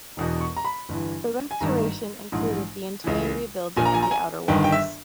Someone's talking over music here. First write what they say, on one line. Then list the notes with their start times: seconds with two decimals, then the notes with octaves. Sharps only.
The restoration included the entire rebuilding of the outer walls.
0.17 E1 E2 B2
0.41 C#6
0.57 A#5
0.64 B5
0.89 G1 G2 E3
1.51 G#5
1.61 G#1 G2 D#3 A#5
2.32 A#1 G#2 E3
3.04 C#2 C#3 E3
3.77 A#1 A#2 G#5
3.85 A#5
3.94 G#5
4.03 A#5
4.11 G#5
4.48 G1 G2 D#3 G5
4.64 G5
4.72 E5